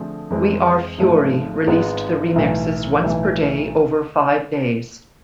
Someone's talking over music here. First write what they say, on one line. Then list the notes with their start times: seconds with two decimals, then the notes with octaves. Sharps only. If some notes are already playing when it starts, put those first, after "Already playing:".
We Are Fury released the remixes once per day over five days.
Already playing: D3 F3 A3 C4 G#4
0.30 F2 E3 G#3 C4
0.98 G#1 G#2 F3 A3
1.67 G#1 G#2 G#3 B3 F4
2.35 B1 A2 E3
3.04 B1 A2 E3